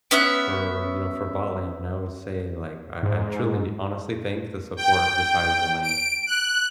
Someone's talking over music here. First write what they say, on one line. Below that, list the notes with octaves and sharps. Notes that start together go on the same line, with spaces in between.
for, you know, for bot-lane, I always say, like, I I truly honestly think the support decides the lane.
B3 C#4 E5 F#6
G#2
G5
D7
F#6